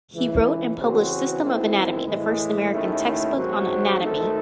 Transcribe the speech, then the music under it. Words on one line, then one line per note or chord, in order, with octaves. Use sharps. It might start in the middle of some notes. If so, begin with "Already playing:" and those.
He wrote and published "System of Anatomy", the first American textbook on anatomy.
C#2 C#3 E3
C#3 E3 C4 F#4 C5
D#3 G#3 C4 E4
A2 E3 G#3
D#2 D#3 A3 C#4 E4
G#2 F#3 C4 F#4 C5
D#3 A3 D#4 A4 C5